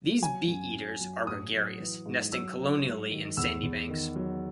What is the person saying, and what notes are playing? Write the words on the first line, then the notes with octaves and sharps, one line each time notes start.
These bee-eaters are gregarious, nesting colonially in sandy banks.
F#3 G#5
F#2
F#3
F#3
A2 D#6
F#3
E3
G#2
F#3 E6
F#3
G#2
D#3
E2 E6
E2
D#3
F#3